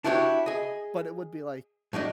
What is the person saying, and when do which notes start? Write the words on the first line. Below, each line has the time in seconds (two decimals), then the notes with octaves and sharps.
but it would be like
0.04 D4 E4 F#4 G4 C5 C#5
0.46 G#4 D#5
1.93 A2 F#3 D4 D#5